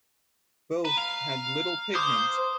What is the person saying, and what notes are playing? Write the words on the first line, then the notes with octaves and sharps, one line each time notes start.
Both had little pigment.
B4 A#5
F5
C5 D6 D#6